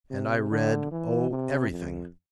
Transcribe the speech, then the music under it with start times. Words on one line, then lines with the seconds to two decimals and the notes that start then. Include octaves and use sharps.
And I read, oh, everything.
0.11 C3
0.51 D3
0.91 E3
1.31 C3
1.70 F2